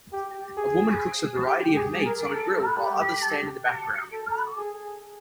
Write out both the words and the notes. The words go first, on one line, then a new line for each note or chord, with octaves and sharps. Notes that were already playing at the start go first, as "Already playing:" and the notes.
A woman cooks a variety of meets on a grill while others stand in the background.
G4
G#4
G4
G#4
A#4
A4
G4
A4
G#4